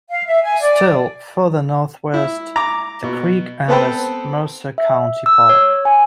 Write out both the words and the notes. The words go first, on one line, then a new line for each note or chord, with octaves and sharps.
Still further northwest, the creek enters Mercer County Park.
F5
E5
G#5
D5
E4
A#5 D6
B2
B3 C4 A4 B4 C5 G5
E5
E6
C#5
G#5